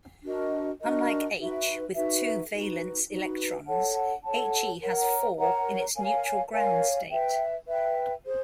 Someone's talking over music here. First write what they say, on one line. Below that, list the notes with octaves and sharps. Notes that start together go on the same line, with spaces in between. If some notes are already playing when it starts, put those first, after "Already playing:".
Unlike H, with two valence electrons, He has four in its neutral ground state.
D4 F#4 A#4 D#5
D4 F#4 A#4 D#5
D#4 F#4 B4 E5
D#4 F#4 B4 E5
D#4 F#4 B4
D#4 F#4 B4
A4 C#5 F#5 A5
A4 C#5 F#5 A5
A#4 C#5 F#5 A#5
A#4 C#5 F#5 A#5
A#4 C#5 F5 G#5
A#4 C#5 F5 G#5
B4 E5 G5
B4 E5 G5
G#4 C5